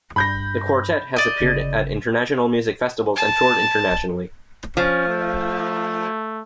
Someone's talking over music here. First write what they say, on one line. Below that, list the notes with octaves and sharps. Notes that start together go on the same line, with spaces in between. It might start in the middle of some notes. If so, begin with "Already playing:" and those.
The quartet has appeared at international music festivals and toured internationally.
G2 B5 G6 A#6
D5 D#5
G1 C#3
A5
F3 C#4
A3